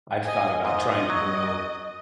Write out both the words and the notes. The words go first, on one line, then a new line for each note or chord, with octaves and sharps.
I've thought about trying to grow,
D#5 G#5
G#2 D#5
F#3